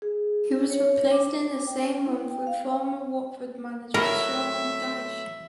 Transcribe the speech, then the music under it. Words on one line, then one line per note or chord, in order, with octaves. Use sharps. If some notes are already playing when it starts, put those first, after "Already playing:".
He was replaced in the same month with former Watford manager Sean Dyche.
G#4
C#5
D6
G5
E4
G5
F5
A2 F#3 A#4 E5